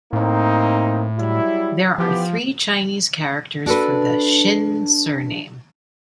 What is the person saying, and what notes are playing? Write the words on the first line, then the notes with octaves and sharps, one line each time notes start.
There are three Chinese characters for the Shin surname.
A2 A#3 C4 D#4
F#3 G3 E4
E3 F3 B3 G4
D4 F#4 A4 B4